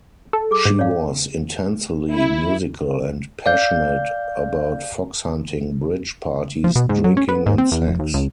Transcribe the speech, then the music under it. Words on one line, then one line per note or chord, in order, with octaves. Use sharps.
She was intensely musical and passionate about fox hunting, bridge, parties, drinking and sex.
A4
G#4 D6
G#2
C#5 D5 F5
E4
D5 F5 G6
F3
B2
G#2
F#3
C#4
B3
G#2
C4
E2
F1
D#2
C#2